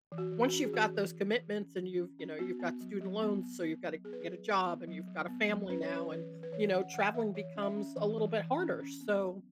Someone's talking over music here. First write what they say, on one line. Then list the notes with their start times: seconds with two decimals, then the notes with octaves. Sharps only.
once you've got those commitments and you've, you know, you've got student loans, so you've gotta get a job, and you've got a family now, and, you know, traveling becomes a little bit harder, so,
0.12 E3
0.18 F#4
0.32 E3
0.46 F#4
0.53 C#4
0.65 G#4
0.73 E3 F#4
0.94 E3
1.15 E3
1.36 E3
1.57 C#4
1.77 E3
1.97 C#4
2.19 C#4
2.39 B3 F#4
2.59 B3
2.81 F#3
3.01 F#3
3.22 B3
3.43 B3
3.63 B3
3.83 F#3
4.05 B3 G#4
4.13 B4
4.21 F#3 G#4
4.46 B3
4.66 B3
4.87 F#3
5.08 F#3
5.28 B3
5.49 F#3
5.69 C#4 B4
5.83 C#5
5.90 C#4
5.96 B4
6.11 E3 B4
6.32 E3
6.43 B4
6.52 E3 C#5
6.73 C#4 F#5
6.94 E3 F#5
7.14 E3 E5
7.35 E3 C#5
7.56 C#4
7.62 E5
7.77 C#4
7.97 E3
8.18 E3
8.38 E3
8.59 C#4
8.80 C#4
9.01 B3
9.21 F#3